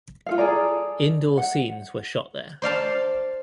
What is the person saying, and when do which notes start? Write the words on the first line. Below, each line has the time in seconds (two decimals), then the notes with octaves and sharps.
Indoor scenes were shot there.
0.26 F4 A4 F5
0.38 G#4 A4 D5 A#5
1.38 F#5
2.62 C5 D5 F5 A5